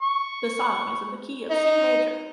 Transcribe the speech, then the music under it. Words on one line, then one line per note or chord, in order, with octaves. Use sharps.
The song is in the key of C major.
C#6
D#4